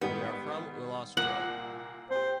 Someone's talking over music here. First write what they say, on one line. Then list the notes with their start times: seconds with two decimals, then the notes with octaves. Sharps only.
We are from Ullastrell.
0.01 G#2 D#3 G3 B3
1.17 C2 A#2 A#3 F#5
2.11 C4 G4 C5